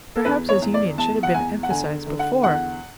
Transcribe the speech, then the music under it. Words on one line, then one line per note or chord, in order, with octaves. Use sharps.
Perhaps his union should have been emphasized before.
A4
E2 B4
C#5
E2
D5
E2 A5
F#5
E2 G#5
F#5
D3 G#5
D3
F#5
E2 F#5